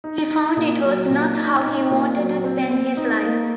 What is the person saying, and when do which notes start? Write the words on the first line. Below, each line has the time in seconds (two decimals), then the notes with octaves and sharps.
He found it was not how he wanted to spend his life.
0.04 D#4
0.30 D#4
0.57 A#2
0.84 F#3
1.10 A#2
1.37 D#4
1.63 D#4
1.90 A#2
2.17 F#3
2.44 C4
2.70 C4
2.97 D#4
3.23 A#3